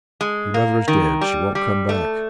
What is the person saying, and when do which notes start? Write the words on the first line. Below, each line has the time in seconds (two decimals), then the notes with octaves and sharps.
"Your mother is dead; she won't come back."
0.21 G#3
0.54 A#3
0.88 D#3
1.21 G3
1.55 G3
1.89 A3